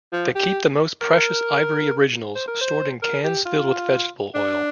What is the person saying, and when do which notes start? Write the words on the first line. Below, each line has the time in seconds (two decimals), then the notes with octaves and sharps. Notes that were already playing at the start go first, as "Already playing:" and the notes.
They keep the more precious ivory originals stored in cans filled with vegetable oil.
0.13 F3
0.35 G4
1.01 A#4
2.35 C5
2.48 A#4
2.61 C5
3.02 A#4
3.24 G4
3.46 F4
4.34 D4